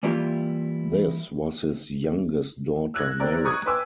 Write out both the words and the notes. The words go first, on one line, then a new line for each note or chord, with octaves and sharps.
This was his youngest daughter Mary.
E3 G3 A#3 E4 F4 G4
E6 F#6 G#6 A#6
C4 A#4 D5
A#5 C#6 D#6 F#6 G#6
B4 G5 G#5 C6 D6 E6